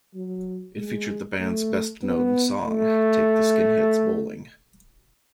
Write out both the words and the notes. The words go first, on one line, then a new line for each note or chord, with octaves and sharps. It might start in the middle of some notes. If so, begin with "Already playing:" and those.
It featured the band's best known song, "Take the Skinheads Bowling".
F#3
G#3
A3
B3
A3